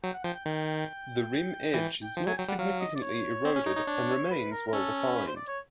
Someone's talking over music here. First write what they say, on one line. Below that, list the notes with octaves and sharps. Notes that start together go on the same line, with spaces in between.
The rim edge is not significantly eroded and remains well-defined.
F#3 G5
F#5
F3 G5
G5
D#3 G5
E3 G5
G5
F3 G5
F#3 G#5
F#3 G5
G3 F#5
F#3 F5
D#5
D5
C#5
C4
C#4
D#4
D#4
D4
B4
A#4
A#4
C#4 A4
A4
B4
C5
D5
C#5